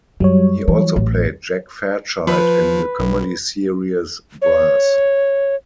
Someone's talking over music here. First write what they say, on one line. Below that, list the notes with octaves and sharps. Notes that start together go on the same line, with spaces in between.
He also played Jack Fairchild in the comedy series "Brass".
F#2 F#3 G3 C#5
E3
A1
F3 B4
B1
C#5